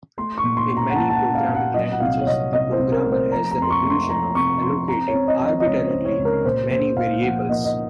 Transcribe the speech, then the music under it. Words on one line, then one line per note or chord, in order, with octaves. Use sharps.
In many programming languages, the programmer has the illusion of allocating arbitrarily many variables.
A3 C6
C#6
A#2
C6
C#4
A#5
F#5
A#2 A5
A5
F#5
C#4
F5
A#2
F#5
F#3 D#5
F#5
C2 F5
C#5
C2 D#5
C3 D#5
C5
C2
A#4
A3
C5
F3 A#5
A#5
F2 C6
C#6
A3
C6
F3 A#5
C3 C#6
F3 C6
C4 A#5
C#5
C4
D#5
F3
D#5
D#5
C#2 C#5
C5
C4
C#5
C#2
A#4
A#2 C5
A#2 C5
A#2 F5
F3 F#5
A#3 D#5
D#5